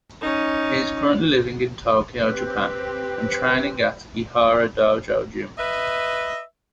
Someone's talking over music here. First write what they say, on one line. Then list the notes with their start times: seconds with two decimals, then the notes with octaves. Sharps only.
He is currently living in Tokyo, Japan and training at Ihara Dojo Gym.
0.21 C#4 D#4
2.26 C4 G4 B4
5.56 B4 D#5 E5